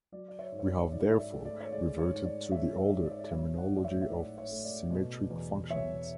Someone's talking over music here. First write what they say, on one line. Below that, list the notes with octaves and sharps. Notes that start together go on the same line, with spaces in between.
We have therefore reverted to the older terminology of symmetric functions.
F#3 D5
D5
C#5 E5
G#2
C#5
D5
G#2 D5
E5
D5
A3
D5
C#5
G#3 D5
C#5
G#2
D5
G#3 C#5 E5
C#5 E5
G#2
D5
C#5
D5
F#3 C#5 E5
D5 F#5
A2
D5
C#5 E5
E5
A2 D5
C#5
A3
D5
B2
E2
E2 C#5 E5